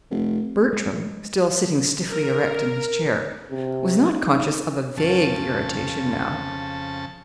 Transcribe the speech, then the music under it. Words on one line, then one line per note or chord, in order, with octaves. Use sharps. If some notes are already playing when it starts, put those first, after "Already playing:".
Bertram, still sitting stiffly erect in his chair, was not conscious of a vague irritation now.
F1
G#3
A#4
C3
D#4
F2 C#3 A5